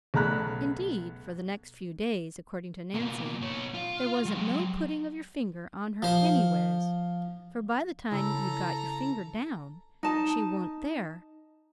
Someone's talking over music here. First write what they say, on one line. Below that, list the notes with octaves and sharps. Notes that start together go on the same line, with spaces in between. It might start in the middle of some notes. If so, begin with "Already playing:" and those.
Indeed, for the next few days, according to Nancy, "There wasn't no putting of your finger on her anywheres, for by the time you'd got your finger down she wa'n't there."
B1 C#3 A3 A#5 B5 F#6
B2 A#3
B2 C#5
F4
F#3 G#3
F3 C5
C#3 E4 A4 A#5 E6
D#4 A5